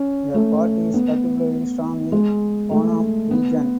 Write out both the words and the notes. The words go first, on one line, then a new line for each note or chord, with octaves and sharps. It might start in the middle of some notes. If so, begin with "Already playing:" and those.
The party is particularly strong in Honam region.
Already playing: C#4
A3
B3
G#3
A3
B3